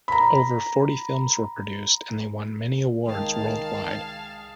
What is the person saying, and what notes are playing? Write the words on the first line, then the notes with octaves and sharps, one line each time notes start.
Over forty films were produced and they won many awards worldwide.
A#5 B5
C2 D#3 G#3 G#4 F5 G5 A5